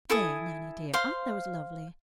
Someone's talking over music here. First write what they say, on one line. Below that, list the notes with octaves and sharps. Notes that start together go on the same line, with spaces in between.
There, Nannie dear, aren't those lovely?
E4 A4 G#5 D#6
C5 F5 C6